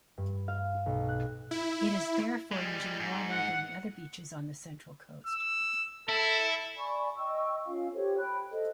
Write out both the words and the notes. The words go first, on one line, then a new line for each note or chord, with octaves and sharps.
It is therefore usually warmer than the other beaches on the Central Coast.
G2
F5
B1
F#6
E4
G3 G#3
G#2
F#5
E6
E4 A4
D5 G#5 B5 C#6
D#5 G5 C#6 E6
C#4 F4 F5
G4 A4 C5 C#5
G5 B5 F#6
A4 C5 D#5